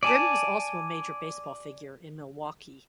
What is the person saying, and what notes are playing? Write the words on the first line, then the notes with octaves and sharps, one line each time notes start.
Grimm was also a major baseball figure in Milwaukee.
D5 G#5 A5